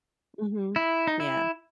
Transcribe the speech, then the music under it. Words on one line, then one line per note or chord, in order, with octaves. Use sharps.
Mhm. Yeah.
E4
D#4
E4